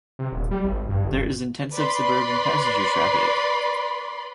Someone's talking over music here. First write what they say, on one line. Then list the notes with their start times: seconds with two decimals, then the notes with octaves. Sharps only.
There is intensive suburban passenger traffic.
0.19 C3
0.32 D#1
0.51 G3
0.64 G#1
0.89 G2
1.04 G1
1.73 B4 D5 B5 C6